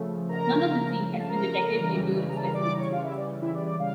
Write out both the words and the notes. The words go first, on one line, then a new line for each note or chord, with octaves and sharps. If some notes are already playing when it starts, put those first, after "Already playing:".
None of the three has been detected in urine specimens.
Already playing: C#3 F3 A3
A#4 A#5
A5
A#4 A#5
C#3 E3 G3
A#5
A5
A#4 A#5
D5 D6
A#5
C#5 C#6
F4 F5
E4 E5
D5
E4 E5
D5
D5
C#3 G3 F5